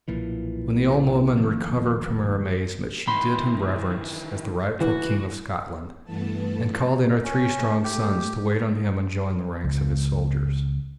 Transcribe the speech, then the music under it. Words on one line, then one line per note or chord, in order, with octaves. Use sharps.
When the old woman recovered from her amazement she did him reverence as the rightful King of Scotland and called in her three strong sons to wait on him and join the ranks of his soldiers.
B1 A#2 E3 F3
E1 D#3 F3 A#3
D#3 E3 B5 C6
E3 F#4
G2 E3 A3 B3 A5
C#4
A3
G4
C#2